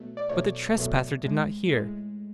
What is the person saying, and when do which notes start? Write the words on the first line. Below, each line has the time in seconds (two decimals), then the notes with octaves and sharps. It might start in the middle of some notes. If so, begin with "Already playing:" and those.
But the trespasser did not hear.
Already playing: B2 F#3 A3
0.17 D5
0.29 B2 F#3 A3 C#5
0.77 B2 F#3 A3
1.24 A2 G#3
1.73 A2 G#3